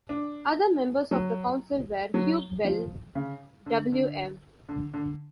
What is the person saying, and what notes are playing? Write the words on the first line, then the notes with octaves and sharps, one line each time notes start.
Other members of the Council were Hugh Bell, Wm.
D4
F#3
F#3
F3
C#3
D3
D3
D3
D3